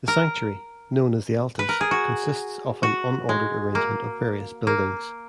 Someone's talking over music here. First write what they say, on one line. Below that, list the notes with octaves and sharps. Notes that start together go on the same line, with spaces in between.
The sanctuary, known as the Altis, consists of an unordered arrangement of various buildings.
A#4
B4
A#4
G#4
F#4
F#4
G#3
A#3
A#3